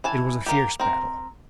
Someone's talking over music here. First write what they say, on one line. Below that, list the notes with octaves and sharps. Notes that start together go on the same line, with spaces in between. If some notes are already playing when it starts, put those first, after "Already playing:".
It was a fierce battle.
E3 G#5 A5
G4 A#4 F5
C4 A#4